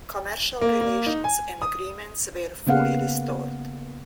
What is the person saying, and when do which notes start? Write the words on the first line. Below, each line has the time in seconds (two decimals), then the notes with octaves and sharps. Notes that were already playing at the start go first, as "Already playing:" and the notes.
Commercial relations and agreements were fully restored.
0.61 A#3
0.81 A#3
1.06 D#4
1.24 G#5
1.62 D#6
2.67 C#3 A#3 B3 F5 F#5